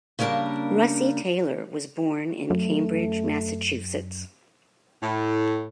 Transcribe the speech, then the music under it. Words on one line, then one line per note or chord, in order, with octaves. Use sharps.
Russi Taylor was born in Cambridge, Massachusetts.
C#3 G3 A#3 D4 A#4 A5
F#2 A3
A2